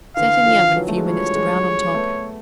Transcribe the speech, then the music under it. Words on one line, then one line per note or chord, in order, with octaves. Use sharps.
Set in the oven a few minutes to brown on top.
D3 E3 F5
D#3 F3
E3 F#3
A3
G#3
F3 G3 C#5
F#3 G#3
A3 B3